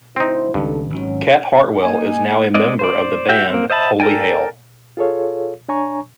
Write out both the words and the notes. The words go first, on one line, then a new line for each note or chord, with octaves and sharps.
Cat Hartwell is now a member of the band Holy Hail.
D2 C4 D#4 E4 C5
C#2 G2 B2 D#3 C#4 D#4 A4
G#1 C3 D#3 F#3 C#4
A#3 D#4 G#5
G#3 C4 D5 D#5
C5 D5
F#4 G4 E5 G5
A#3 C4
C5 D#5 E5 A5 B5
A4 A#4 D5 G5 G#5
F4 G#4 A4 C#5 F5
D4 C#5 G#5 A#5 C#6